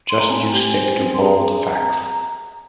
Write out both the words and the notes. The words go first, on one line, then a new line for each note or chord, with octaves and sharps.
Just you stick to bald facts.
C6
A#5
C4 G#5
G4
C5
C4
C6
G#4 A#5